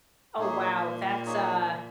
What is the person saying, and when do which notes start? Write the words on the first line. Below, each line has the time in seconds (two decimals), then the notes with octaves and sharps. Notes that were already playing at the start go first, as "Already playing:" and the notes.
Oh, wow, that's a
0.39 A#2 A#3 D#4 G#4 C#5
1.26 A#3 D#4 G#4 C#5